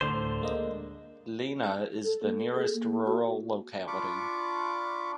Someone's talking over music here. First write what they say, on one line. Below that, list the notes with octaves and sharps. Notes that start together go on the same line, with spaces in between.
Lena is the nearest rural locality.
D2 A2 D3 C5
G#3 A#3 D#5
A4
A#3
A4
G#4
A#3
F#4
D4 F4 B5 C#6 D6